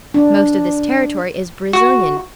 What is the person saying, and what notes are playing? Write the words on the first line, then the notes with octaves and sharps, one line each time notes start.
Most of this territory is Brazilian.
D4
F#4